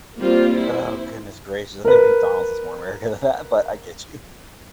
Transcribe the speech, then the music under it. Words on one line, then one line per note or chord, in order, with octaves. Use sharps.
Oh goodness gracious, I think McDonald's is more America than that, but I get you.
G3 A#3 C4 F4 C5
E4 C5
A#4 B4